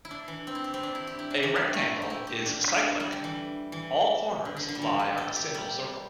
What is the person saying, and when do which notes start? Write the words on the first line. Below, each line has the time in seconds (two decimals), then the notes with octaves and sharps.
A rectangle is cyclic: all corners lie on a single circle.
0.05 E4
0.11 D4
0.28 E3
0.47 C4
0.55 E4
0.64 G4
0.74 C4
0.83 D4
0.95 E4
1.07 G4
1.19 E4
1.30 D4
1.43 E3
1.56 G3
1.74 A3
2.02 G4
2.10 E4
2.27 G4
2.46 D4
3.00 G3
3.12 D3
3.24 E3
3.72 E3
4.45 D3
4.57 D3
4.69 D3
4.75 G3
4.82 E3
4.99 G4
5.17 A4
5.36 G4
5.54 G3